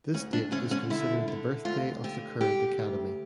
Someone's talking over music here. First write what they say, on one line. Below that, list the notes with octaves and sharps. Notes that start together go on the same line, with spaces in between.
This date is considered the birthday of the current academy.
D2 C#4
D4
D3 C#4
C#4
D3 E4
D3
D2 F4
D3 G4
D3 G4
D2